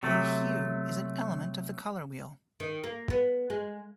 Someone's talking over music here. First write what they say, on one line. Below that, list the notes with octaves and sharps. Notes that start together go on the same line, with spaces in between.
A hue is an element of the color wheel.
C3 F#3 A3
D#3
A#3
B3
G#3